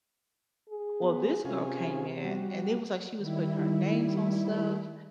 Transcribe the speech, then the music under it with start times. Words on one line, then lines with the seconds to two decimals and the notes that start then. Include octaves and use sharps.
Well this girl came in, and it was, like, she was putting her names on stuff,
0.70 G#4
1.02 B3
1.45 C3 C#4 F4 G#4
2.25 G3 F#4
3.18 D#3 G3 E4